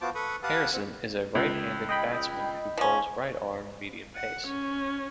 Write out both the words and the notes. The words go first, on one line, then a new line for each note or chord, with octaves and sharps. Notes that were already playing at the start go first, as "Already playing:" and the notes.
Harrison is a right-handed batsman who bowls right-arm medium pace.
B3 F4 F#4 C5 A5 D6
A4 B4 B5 C#6 D#6
G4 B4 F5 F#5 A5 D#6
C4 F#5
C#2
D#5 G5 B5
F3 C#4
F#5
C#4